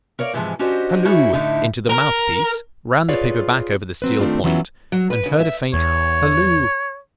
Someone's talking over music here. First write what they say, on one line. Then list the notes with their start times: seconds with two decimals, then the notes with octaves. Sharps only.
Halloo!' into the mouthpiece, ran the paper back over the steel point, and heard a faint 'Halloo!
0.19 A#4 C#5 D5 F5
0.34 G#2 C3 E3 F3 G#3
0.59 C#4 D4 F#4 G4 C5 D#5
1.05 D#4 E4 F#4 G#4 C#5 D5
1.33 A2 D3 D#4 E4
1.90 A#4
3.09 F4 G#4 B4 C#5 D5 F5
4.02 F#3 C4 B4
4.20 D#3 A3 C4 D4 F4
4.44 E3 F#3 B3 C#4 E4 F4
4.92 F#3
5.10 B4
5.26 C#3
5.40 E5
5.73 E2 C#5